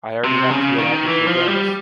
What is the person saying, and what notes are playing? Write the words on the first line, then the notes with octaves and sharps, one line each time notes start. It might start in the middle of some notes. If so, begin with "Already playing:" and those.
I already have to get out in Koblenz.
C3
C#3
D#3
E3
F3
G3